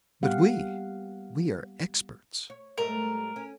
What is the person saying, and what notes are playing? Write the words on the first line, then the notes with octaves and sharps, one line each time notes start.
But we! we are experts.
G3 A#3 B3 G4 F5 F#5
C#5
G#2 G3 A3 A#4
C#4